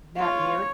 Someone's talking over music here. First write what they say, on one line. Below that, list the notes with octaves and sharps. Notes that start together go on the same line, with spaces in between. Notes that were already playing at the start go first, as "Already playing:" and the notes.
Isn't that weird?
F4 C#5